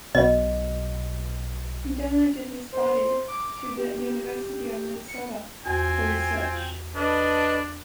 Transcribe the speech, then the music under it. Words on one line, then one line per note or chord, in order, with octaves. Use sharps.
He donated his body to the University of Minnesota for research.
B1 B2 D#5
C5
D6
G4
C#7
E2 C4 F4 F#4 G5 G#5
D4 A4 B4 D#5